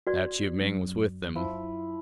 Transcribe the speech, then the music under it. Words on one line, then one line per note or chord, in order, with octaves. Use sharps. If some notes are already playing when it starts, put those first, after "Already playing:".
Now Chiu-Ming was with them.
F#4 D5
F#2
F3 E4